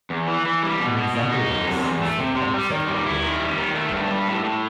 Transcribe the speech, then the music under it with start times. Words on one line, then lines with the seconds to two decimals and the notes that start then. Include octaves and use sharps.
An example of this is the power set operation.
0.10 E2
0.28 E3
0.46 E3
0.63 G3
0.80 B2
0.97 B2
1.15 B2
1.32 D#4
1.49 F#2
1.66 C3
1.84 E2
2.02 A3
2.19 C3
2.36 C3
2.54 G3
2.71 D#3
2.88 G3
3.06 E4
3.23 D#3
3.40 G3
3.58 D#3
3.75 A3
3.92 G2
4.11 G3
4.28 A2
4.44 A2